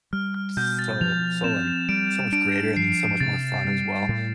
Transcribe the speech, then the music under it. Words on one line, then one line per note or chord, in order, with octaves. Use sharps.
so so like so much greater and then so much more fun as well,
G3 F6
F6
B2 G6
A6
F3 F7
C4 E7
G3 D7
D4 D7
F3 C7
C3 A6
G3
A2